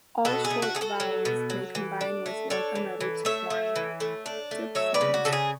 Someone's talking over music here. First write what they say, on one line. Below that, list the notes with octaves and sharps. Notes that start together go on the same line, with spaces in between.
All short vowels may combine with one another to form diphthongs.
B2 F#4 A4
G#4
A3
F#4
A3 G#4
F#4 A4
F#3
B2
F#3
E3
D4
A3
D4 A4 C#5
E3
E3
A3 C#5 E5
A3
E3
A3
D4
A3
F#3 C#5 E5
B4 D5
C#3
F#4
C#3 A4
G#4